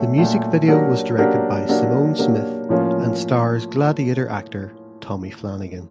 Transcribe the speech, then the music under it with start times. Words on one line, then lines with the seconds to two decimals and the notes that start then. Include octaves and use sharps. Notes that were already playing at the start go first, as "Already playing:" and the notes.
The music video was directed by Simone Smith and stars "Gladiator" actor Tommy Flanagan.
Already playing: A#2 F#3 A3
0.18 A#2 F#3 A3
0.68 F#3 A#3 D4 G4 A#4
1.18 F#3 A#3 D4 G4 A#4
1.69 F#3 A#3 D4 G4 A#4
2.18 F#3 A#3 D4 G4 A#4
2.69 A2 F3 A#3 C#4 F4